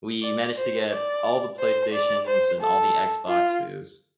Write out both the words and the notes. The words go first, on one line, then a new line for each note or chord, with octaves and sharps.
We managed to get all the PlayStations and all the Xboxes.
D5
C5
D5
C5
D5
C5
A4
F4